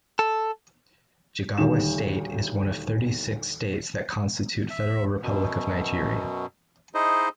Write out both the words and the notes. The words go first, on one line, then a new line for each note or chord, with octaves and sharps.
Jigawa State is one of thirty-six states that constitute Federal Republic of Nigeria.
A4
D#1 D2 D#3 E7
E5
F#2 B2
D#4 E4 G#4 C5 D#5